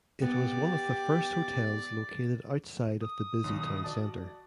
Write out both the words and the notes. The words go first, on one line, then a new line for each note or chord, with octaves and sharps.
It was one of the first hotels located outside of the busy town centre.
B3 G4 D5
D#6
B1 G2 D#3
F#4 D5 A5